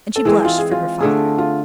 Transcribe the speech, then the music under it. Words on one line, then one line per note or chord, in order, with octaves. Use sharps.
And she blushed for her father.
A4
E3 G#3 C4 G#4
F4
G#4
F4
D3 A3 D4 G#4
F4